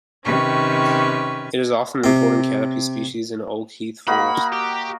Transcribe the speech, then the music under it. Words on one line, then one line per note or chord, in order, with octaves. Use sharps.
It is often an important canopy species in an oak-heath forest.
C3 D#3 C#4 B4 C#6
C3 C4
A#3 F#4 D#5 B5
G4